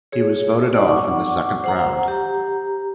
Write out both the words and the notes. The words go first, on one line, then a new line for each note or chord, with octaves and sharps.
He was voted off in the second round.
G#4 C#5
D#4 D5
F#5 C#6 D6
C5 F#5 A#5
G4 A#5